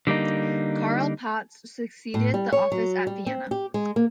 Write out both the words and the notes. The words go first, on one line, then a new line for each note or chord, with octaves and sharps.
Carl Patsch succeeded the office at Vienna.
D3 G3 A#3 D#4
A2
G3
C#5
F#3
G3
C4
G4
G#3
A#3